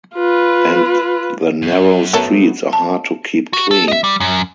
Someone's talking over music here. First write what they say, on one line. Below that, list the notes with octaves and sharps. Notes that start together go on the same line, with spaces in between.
And the narrow streets are hard to keep clean.
F4 B4
F#2
F#3 A3 B3 A4 A#4 C#5
A5
F#4
A4
D#5 E5
G3
F#2